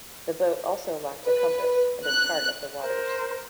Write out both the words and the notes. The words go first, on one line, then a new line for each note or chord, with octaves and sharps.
The boat also lacked a compass and a chart of the waters.
B4
F#6
A#4 C5